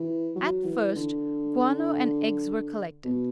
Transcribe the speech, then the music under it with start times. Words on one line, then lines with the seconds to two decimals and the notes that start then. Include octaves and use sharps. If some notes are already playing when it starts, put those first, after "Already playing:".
At first guano and eggs were collected.
Already playing: E3
0.35 F#3
0.65 E3
0.95 D3
3.04 B2